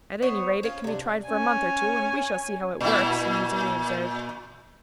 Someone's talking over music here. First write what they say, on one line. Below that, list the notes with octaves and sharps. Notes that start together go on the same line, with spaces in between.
"At any rate it can be tried for a month or two, and we shall see how it works," he musingly observed.
B3 C5 C#5
C#4 F4
C3 D4
C#4 G#5
A#2 E4